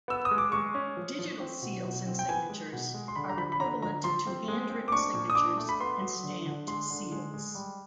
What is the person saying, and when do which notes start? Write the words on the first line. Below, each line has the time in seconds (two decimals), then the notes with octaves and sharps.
Digital seals and signatures are equivalent to handwritten signatures and stamped seals.
0.08 B3 E6
0.25 D#6
0.31 G#3
0.38 D6
0.52 G#3 C#6
0.75 C#4
0.97 F3
1.19 F3
1.40 C4
1.62 B2
1.85 B2
2.07 C4
2.19 G5
2.29 B3 G#5
2.50 G#3
2.73 B2
2.94 G#3
3.08 C6
3.16 D3 B5
3.29 A#5
3.38 F3 B5
3.52 B5
3.60 D3 A#5
3.82 F3 A#5
4.04 F3 C6
4.27 C4
4.48 G#3
4.70 C4
4.88 D6
4.92 D4 C#6
5.14 A#2
5.30 D#6
5.35 D4 D6
5.57 A3
5.69 B5
5.80 B3 C6
6.02 F#3
6.24 D3
6.46 D3
6.67 G#3 C6
6.90 D3
7.12 G#3
7.34 G#3
7.55 G3